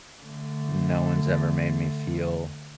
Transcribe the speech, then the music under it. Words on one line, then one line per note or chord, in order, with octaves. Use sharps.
no one's ever made me feel
D3 A3